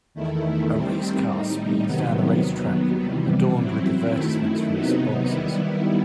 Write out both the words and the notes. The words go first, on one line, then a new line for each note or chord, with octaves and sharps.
A race car speeds down the racetrack, adorned with advertisements from its sponsors.
E2 D#3 A3 E4
D#3 G3 C4
A2 G3 D#4
C3 D#3 F#3 B3
D#2 D#3 F#3 B3
C3 E3 G3
F#2 F#3 C4 E4
F#2 D#3 A3 E4
C3 F#3 B3 D#4
D#3 G3 B3 E4